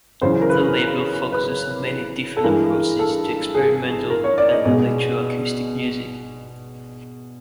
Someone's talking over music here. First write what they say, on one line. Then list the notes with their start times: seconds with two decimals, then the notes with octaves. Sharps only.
The label focuses on many different approaches to experimental and electroacoustic music.
0.21 F#2 C#3 E3 C5
0.41 A#4
0.49 B4
1.32 B4
2.37 A4
2.43 G2 E3 G#3 A#4
2.99 A4
3.55 G#4
4.10 A#4
4.24 C#5
4.38 D5
4.51 D#5
4.65 B2 G#3